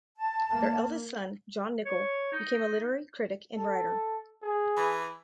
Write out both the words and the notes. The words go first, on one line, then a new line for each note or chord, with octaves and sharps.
Their eldest son, John Nichol became a literary critic and writer.
A5
A#3
C#5
D#4
A4
G#4
E3